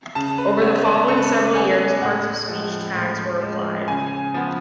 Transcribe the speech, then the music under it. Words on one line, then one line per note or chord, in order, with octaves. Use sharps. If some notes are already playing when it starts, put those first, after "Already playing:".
Over the following several years part-of-speech tags were applied.
C#3 A5
B4
G#3 B3 C#5
D5
C#3 A4
B4
A4
G#3 B3 G#5
A2 F#5
F3 G#3
A2
F3 G#3
C#3 G#5
F3 B3